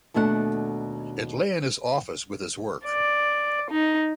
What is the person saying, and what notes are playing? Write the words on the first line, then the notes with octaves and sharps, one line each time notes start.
It lay in his office with his Work.
D#2 B2 A3 D4 F#4 F#5
D5
D#4